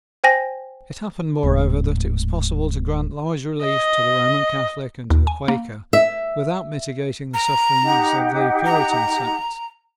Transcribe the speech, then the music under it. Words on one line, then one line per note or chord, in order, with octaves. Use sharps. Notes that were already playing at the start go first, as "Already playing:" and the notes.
It happened, moreover, that it was possible to grant large relief to the Roman Catholic and to the Quaker without mitigating the sufferings of the Puritan sects.
C5 G5 G#5 A#6
D1 G#2
D#5
D#2
G#5
A#3
E5
A#5
D#4 G4 F#5
A#5